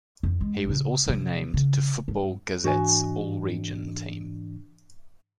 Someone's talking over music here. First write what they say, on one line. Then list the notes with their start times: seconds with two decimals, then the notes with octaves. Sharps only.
He was also named to Football Gazette's all-region team.
0.23 F2
0.41 G#3
0.66 A#2 C#3
1.07 C3 F3
1.54 C#3
2.08 G2
2.64 G#2 E3 D4 F#4 D#5 G#5